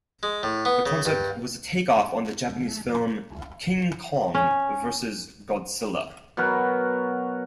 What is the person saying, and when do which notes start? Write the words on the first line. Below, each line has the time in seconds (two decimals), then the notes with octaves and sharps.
The concept was a take-off on the Japanese film, King Kong Versus Godzilla.
0.23 G#3
0.43 A2
0.65 B3
0.86 C#3
1.05 G2
4.35 C#4
6.37 B2 F#3 F#4 A#4